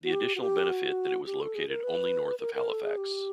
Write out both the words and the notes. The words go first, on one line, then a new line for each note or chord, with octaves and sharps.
The additional benefit that it was located only north of Halifax.
F#4
G4
F#4
G4
F#4
G4
A4
G#4
A#4
B4
A#4
A#4
A4
G#4
G4